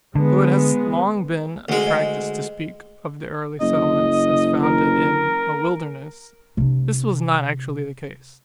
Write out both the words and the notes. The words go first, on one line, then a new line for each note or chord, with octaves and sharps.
Though it has long been the practice to speak of the early settlements as founded in "a wilderness," this was not actually the case.
D3 G#3 B3
D2 G#3
D#5
F#1 D#5
A#4
C3 D4